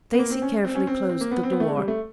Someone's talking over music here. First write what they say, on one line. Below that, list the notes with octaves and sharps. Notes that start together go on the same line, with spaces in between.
Stacey carefully closed the door.
B3
A#3
C4
C#4
C4
C#4
C4
C4
A#3
B3
C4
B3
A3
G#3
G3
A3